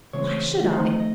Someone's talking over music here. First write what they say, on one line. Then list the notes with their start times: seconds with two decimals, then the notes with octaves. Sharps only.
"Why should I?"
0.13 C#3 E3 G#3 C4 C#5
0.71 D#3 A3 C4 C5
0.85 D#5
1.00 D#5